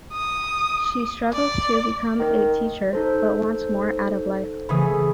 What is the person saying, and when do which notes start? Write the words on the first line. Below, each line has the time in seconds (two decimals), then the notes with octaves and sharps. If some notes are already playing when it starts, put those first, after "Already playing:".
She struggles to become a teacher, but wants more out of life.
0.13 D#6
1.33 D5
2.20 D#3
2.93 D#4 A4 C5
4.69 C#3 E3 A3 B5 D#6